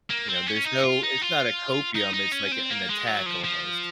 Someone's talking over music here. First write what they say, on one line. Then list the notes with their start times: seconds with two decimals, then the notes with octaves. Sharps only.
You know, there's no it's not a copium, it's, like, a an attack almost.
0.10 A#3
0.28 C4
0.47 C#4
0.65 D#4
0.84 F4
1.03 D#4
1.22 F4
1.96 D#4
2.14 D#4
2.32 C#4
2.52 C4
2.70 A#3
2.89 G#3
3.07 F#3
3.26 F3
3.44 F3